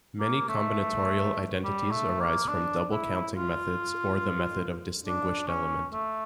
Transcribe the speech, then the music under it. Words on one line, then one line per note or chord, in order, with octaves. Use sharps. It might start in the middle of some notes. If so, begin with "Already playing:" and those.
Many combinatorial identities arise from double counting methods or the method of distinguished element.
A#3
A3
G3
A3
A#3
D4
E4
F4
D4
C#4
A3